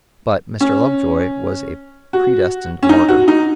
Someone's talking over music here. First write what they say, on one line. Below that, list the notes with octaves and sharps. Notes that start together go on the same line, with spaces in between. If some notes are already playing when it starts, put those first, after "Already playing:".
But Mr. Lovejoy was a predestined martyr.
C#4
F#4
C#4
D#4
F#4
D#4